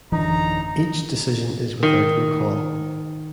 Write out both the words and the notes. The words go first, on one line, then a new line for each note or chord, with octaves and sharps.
Each decision is without recall.
A1 F#2 D3 E3 D#4 A#5
D#3